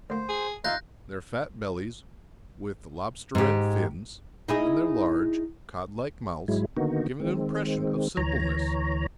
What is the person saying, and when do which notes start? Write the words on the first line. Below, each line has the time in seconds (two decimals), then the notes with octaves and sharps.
Their fat bellies with the lobster-red fins, and their large, cod-like mouths, give an impression of simpleness.
0.10 D2 A#3 C5
0.29 G#4
0.64 D#2 D#4 F4 E5 F#6 G6 A#6
3.35 G#2 G4
4.48 D#4 E4 G#4
6.48 G#2 F#3 G#3 E4
6.77 D3 D#3 A#3 B3 D#4 F#4
7.20 D#3 G#3 C4
8.17 D2 E3 C#5 A#5